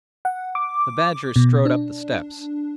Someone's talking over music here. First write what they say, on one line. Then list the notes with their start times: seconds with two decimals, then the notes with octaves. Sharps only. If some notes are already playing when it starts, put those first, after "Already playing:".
The Badger strode up the steps.
0.25 F#5
0.55 D6
1.36 B2
1.65 D4